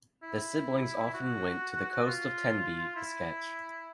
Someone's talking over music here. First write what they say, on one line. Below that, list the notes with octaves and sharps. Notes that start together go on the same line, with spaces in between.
The siblings often went to the coast of Tenby to sketch.
E4
F#4
F4
E4